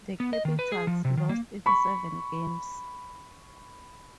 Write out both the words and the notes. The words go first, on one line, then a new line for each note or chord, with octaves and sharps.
The Capitals lost in seven games.
B3
D#5
D#3
B4
G#4
F3
C3
D#3
A#3
B5 C#6